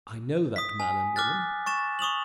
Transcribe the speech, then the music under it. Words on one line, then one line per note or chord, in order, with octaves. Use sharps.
"I know that man and woman."
D#6 B6
G#5
D6 F6 F#6 A6
C#6 A6 E7
C#6 D#6 F7 F#7